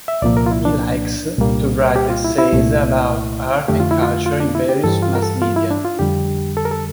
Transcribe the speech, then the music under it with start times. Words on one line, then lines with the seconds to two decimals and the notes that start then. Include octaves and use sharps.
He likes to write essays about art and culture in various mass media.
0.08 E5
0.22 C2 A#2 F3 A#3 D5
0.37 A#4
0.46 F4
0.51 E4
0.65 D4
1.38 C2 A#2 G3 A#3
1.96 G4
2.10 F4
2.24 E4
2.38 E4
2.53 C2 A#2 A3
3.68 F2 D3 A3 G4
3.80 F4
3.91 E4
4.02 F4
4.26 F4
4.40 D4
4.55 E4
4.69 G4
4.84 G2 E3 G3 A4
5.03 F4
5.15 A#4
5.22 A4
5.42 F4
5.56 E4
5.70 D4
5.85 F4
5.99 F2 D3 G3 G4
6.57 A4
6.65 A#4
6.71 A4